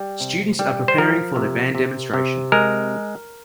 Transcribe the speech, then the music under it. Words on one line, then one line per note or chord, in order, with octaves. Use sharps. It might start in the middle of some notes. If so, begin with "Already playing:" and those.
Students are preparing for their band demonstration.
Already playing: G3
C3
G3
C5
F3 A#4
C3
C3
C3
G#3 A#4